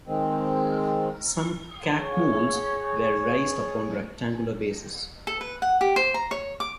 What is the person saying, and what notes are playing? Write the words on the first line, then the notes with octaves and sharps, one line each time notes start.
Some chacmools were raised upon rectangular bases.
D#3 G#3 C4
G#4 C#5
A4
B4
F#5
G4
C5
A#5
C#5
D6